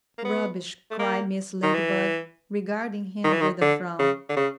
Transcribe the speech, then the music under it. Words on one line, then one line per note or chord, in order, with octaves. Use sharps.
"Rubbish!" cried Mrs. Ladybug, regarding him with a frown.
A#3
B3
A3
A#3
D#3
E3
D#3
E3
D#3
D3
C#3
D3
C#3